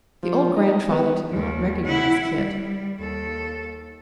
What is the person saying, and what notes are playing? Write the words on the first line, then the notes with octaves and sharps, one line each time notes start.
The old grandfather did not recognize Kit.
F3
D#4
B3
D#2
E4 F#5
G3
D#2 A4